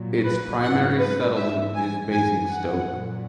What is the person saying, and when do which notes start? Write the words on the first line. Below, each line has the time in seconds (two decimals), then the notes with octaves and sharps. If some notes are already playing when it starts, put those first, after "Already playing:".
Its primary settlement is Basingstoke.
Already playing: A#2 F#3
0.24 B4
0.62 G#2 F#3 F#5
0.99 B4
1.36 G#2 E3 E5
1.74 G#5
2.12 F#2 E3 G#5
2.50 F#5
2.87 A#2 F#3